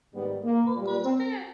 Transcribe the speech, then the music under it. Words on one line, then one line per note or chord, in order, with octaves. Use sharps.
Who goes there?
G#2 D#3 G3 B3
A#3
A#2 G3
C4